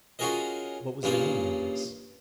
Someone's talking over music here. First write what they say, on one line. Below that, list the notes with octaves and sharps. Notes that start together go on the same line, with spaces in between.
What was the meaning of this?
C#4 F4 F#4 G#4 A#4 D#5
G2 C#3 A#3 C#4 F4